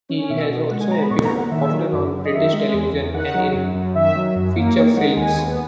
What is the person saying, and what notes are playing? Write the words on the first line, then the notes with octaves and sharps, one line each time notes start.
He has also appeared often on British television and in feature films.
C#4
B2 E5
B2
G#3 F#5
G#5
B3 A#5
B5
A#2 C#6
A#5
A#2
F#5
D#3 E5
F#3
F#2
F#2
D#5
D#3 E5
G#3
E2
E2
D#3 F#5
F#3
F#2
F#2
D#3 E5
F#3
F#2
A#3
D#3 C#5
G#3 F#5
D#2 G#5
B3